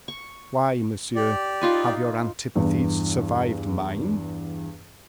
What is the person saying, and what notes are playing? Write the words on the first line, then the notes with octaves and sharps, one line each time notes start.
Why, monsieur, have your antipathies survived mine?
C#6
G4 D5
D#4 F4 B4
E2 G2